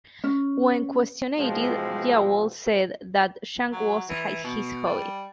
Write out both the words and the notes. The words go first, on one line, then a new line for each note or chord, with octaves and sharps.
When questioned, Diawol said that junk was his hobby.
C#4
A1 G#2 B2 F3 G#3 C4
F#3
E3
B2
G3